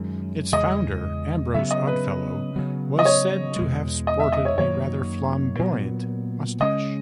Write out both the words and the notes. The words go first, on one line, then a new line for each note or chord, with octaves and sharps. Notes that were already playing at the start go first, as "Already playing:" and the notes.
Its founder, Ambrose Oddfellow, was said to have sported a rather flamboyant moustache.
Already playing: F#2 D#3 G#3
E2 C#3 G#3 D#5
C#3 F#3 B3 E5
D#5
B4
C#3 F#3 B3
D#5
C#5
E2 B2 G#3
D#5
E5
D#5
C#5
F#2 D#3 F#3 A#3 C#5
A#2 F#3 B3
C#3 G#3 C#4 D#5